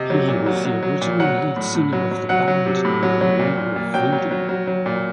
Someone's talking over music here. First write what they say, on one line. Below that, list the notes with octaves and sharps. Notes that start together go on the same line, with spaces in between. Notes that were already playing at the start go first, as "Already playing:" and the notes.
He was the original lead singer of the band Wall of Voodoo.
Already playing: C3 D#5
F#3
A#2
F#3
F#3
F#3
A#2
F#3 F#5
F#3
A2
A2
F#3
F#3
F#3 F#5
F#3
C3
A2
F#3
F#3
A#2
A#2
A#2
F#3 G5
F#3
F#3
F#3
F#3
A#2